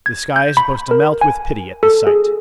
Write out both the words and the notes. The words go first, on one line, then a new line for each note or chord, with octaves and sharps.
The sky is supposed to melt with pity at the sight.
G#6
G6
B5
A#4
G#5
A4
G#4